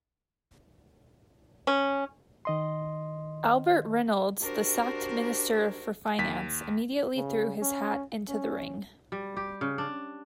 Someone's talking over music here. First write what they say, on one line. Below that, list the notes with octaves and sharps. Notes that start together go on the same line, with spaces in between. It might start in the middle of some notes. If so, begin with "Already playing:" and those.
Albert Reynolds, the sacked Minister for Finance, immediately threw his hat into the ring.
C#4
D#3 D#5 C6
D4 F#4 G4 A#4 C5
D#2 B6
C#3
C#4
C#4
G3
G4
C#3
D4